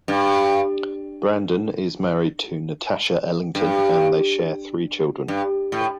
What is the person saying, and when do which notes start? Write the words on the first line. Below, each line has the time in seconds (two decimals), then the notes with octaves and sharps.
Brandon is married to Natasha Ellington and they share three children.
0.08 G2
3.55 G2
5.28 G2
5.72 A2